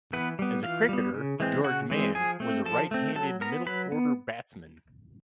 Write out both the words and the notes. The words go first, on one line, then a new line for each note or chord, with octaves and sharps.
As a cricketer, George Mann was a right-handed middle-order batsman.
E3 B3 B4
G3 B3
E3 F4 F5
G3 B3
C#3
E3 G#3 C4
C#3 F#4 F#5
E3 G#3 C4
F3 G#4 G#5
A3 C4
F3 A4 A5
A3 C4
F#3 A4 A5
B3 A#4 A#5
F#3 B4 B5
B3